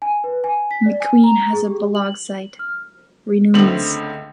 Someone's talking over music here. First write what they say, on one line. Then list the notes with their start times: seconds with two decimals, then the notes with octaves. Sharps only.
McQueen has a blog site 'renewnz.
0.02 G#5
0.24 B4
0.44 G#5
0.71 B6
0.86 D5
1.00 G#5
1.24 A#5
1.53 G#4
1.67 G4
1.95 F#7
2.59 F6
3.54 C#2 D3 A3 C4 F#7